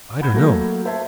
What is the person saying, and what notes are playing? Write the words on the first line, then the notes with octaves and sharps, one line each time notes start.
"I don't know."
F#5 B5 G6 G#6
F#3 A3 A#3
C5 E5 A5 G#6